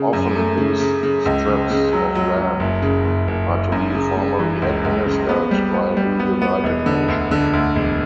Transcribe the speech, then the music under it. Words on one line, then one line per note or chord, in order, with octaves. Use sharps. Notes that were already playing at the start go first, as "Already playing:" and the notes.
Often these strips of land are to be formally administered by the United Nations.
Already playing: C#3
F#2
A3
C#3
C#3
C#3
C#2
C#3
C#3
F#3
F#3
F#3
F#1
C#3
F#1
F#1
F#1
F#2
C#3
C#3
E3
C#2
C#2
C#3
B3
G3
B3
G3
B3
B3
E1
D3
D2
D3
D2
E1